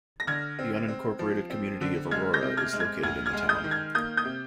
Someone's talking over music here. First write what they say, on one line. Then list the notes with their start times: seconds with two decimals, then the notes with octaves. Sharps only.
The unincorporated community of Aurora is located in the town.
0.20 A#6
0.27 D3 F6 G#6
0.59 C4
0.88 C4
1.19 F3
1.50 C4
1.81 D3
2.11 G#3 F6 G#6
2.34 G6 A#6
2.42 C3
2.57 F6 G#6
2.73 G#3
2.80 F6 G#6
3.03 D2 F6 G#6
3.26 F6 G#6
3.33 G#3
3.49 D#6 G6
3.64 D#3
3.71 F6 G#6
3.95 A#3 D#6 G6
4.17 D#6 G6
4.25 C3